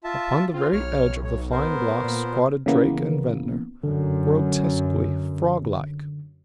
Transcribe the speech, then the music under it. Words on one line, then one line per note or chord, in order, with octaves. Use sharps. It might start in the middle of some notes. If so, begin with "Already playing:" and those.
Upon the very edge of the flying blocks squatted Drake and Ventnor, grotesquely frog-like.
F4 E5 A5
C4 F4
B1 C#5 F6
C#5
B3 A#4 C5
A#2
C#3 E3 A#3 B3
F#2 D3